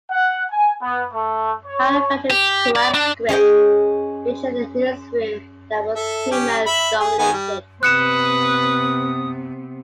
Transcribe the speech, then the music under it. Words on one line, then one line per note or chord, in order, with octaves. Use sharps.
Howard felt the Koepps' script featured a newsroom that was too male-dominated.
F#5
G#5
B3
A3
C#5
G4
D5
D4
C#4 G#4 D#5 G5
A4 E5
C#4 G4
E5 B5
G#4
D#3 B3 G#5
G3
C3 B3 B4 D#6 F#6 C#7 E7